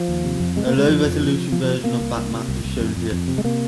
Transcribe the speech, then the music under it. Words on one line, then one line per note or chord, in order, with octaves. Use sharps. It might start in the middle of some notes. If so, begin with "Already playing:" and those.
A low resolution version of that map is shown here.
Already playing: F3
D#2
C3
F2
C3 G#3
A#3
C3 G#3
F2 F3
F2
C3
C3
C3 F3
F3
C3
C3 A#3
C2
C2
C3
C2
C2
F2
F2
F2
C3
G#3
C3 A#3